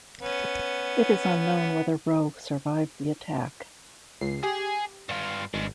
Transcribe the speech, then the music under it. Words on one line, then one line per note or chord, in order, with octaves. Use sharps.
It is unknown whether Rowe survived the attack.
B3 C#4
C#2 C7
G4 G#4
G2 F4
G#1 G2 G#3